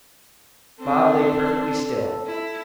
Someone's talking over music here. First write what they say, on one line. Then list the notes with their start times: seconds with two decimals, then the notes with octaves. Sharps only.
Bob lay perfectly still.
0.79 C4 D4 A4
2.26 E4